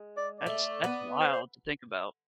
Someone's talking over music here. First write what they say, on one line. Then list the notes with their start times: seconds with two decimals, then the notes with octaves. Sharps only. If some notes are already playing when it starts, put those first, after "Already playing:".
That's that's wild to think about.
Already playing: G#3
0.17 D5
0.39 D5
0.46 A3
0.84 B3
1.21 C5
1.33 C5